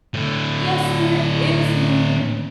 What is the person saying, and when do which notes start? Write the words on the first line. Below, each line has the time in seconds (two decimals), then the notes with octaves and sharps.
"Yes, there IS need!"
0.14 A2 D3